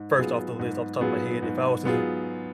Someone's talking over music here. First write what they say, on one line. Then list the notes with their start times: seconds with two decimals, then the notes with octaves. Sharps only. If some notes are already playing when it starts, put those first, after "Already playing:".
first off the list, off the top of my head, if I was to ha
Already playing: G#2
0.18 F#3 B3 F4 G#4
0.59 G#2
1.01 F#3 B3 F4 G#4
1.43 G#2
1.85 F#3 B3 F4 G#4